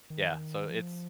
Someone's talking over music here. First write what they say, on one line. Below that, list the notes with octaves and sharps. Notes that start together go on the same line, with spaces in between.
Yeah, so it's
D#3
F3